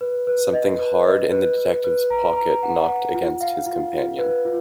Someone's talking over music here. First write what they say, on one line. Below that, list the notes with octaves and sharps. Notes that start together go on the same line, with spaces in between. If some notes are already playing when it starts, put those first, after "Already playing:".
Something hard in the detective's pocket knocked against his companion.
B4
B4
D#5
B4
D#5
B4
B4
B4
A#5
A#5
F#5
F#5
F4
F5
F4
F4
B4
F4